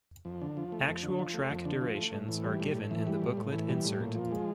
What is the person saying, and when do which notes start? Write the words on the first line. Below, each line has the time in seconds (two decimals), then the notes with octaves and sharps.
Actual track durations are given in the booklet insert.
0.25 F2
0.42 D3
0.57 F3
0.72 A3
0.88 F2
1.03 D3
1.19 F3
1.34 A3
1.50 F2
1.65 D3
1.81 F3
1.96 A3
2.13 A2
2.29 E3
2.44 G3
2.60 A2
2.74 A2
2.91 E3
3.07 G3
3.22 A2
3.37 A2
3.52 E3
3.69 G3
3.85 A2
4.00 A#2
4.15 F3
4.32 G#3